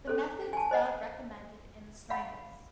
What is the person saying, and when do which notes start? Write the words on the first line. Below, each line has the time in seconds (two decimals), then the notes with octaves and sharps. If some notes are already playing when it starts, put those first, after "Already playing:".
The methods above recommended in the strangles.
0.07 C#4 A4 C5
0.53 G#5 A5
0.71 C5 D#5 F#5
2.10 F5 F#5 B5